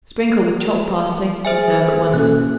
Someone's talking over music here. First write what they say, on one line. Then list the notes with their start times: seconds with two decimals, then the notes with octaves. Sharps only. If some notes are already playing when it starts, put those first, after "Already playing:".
Sprinkle with chopped parsley and serve at once.
1.45 G#4 C5 E5 G#5
2.14 B2 A#3 C#4 A4 F#6